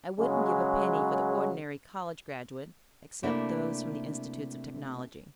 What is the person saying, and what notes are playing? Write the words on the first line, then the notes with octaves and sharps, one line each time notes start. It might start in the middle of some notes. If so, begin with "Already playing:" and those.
I wouldn't give a penny for the ordinary college graduate, except those from the institutes of technology.
C#3 F#3 G#3
C3 A3 A#3 D4 E4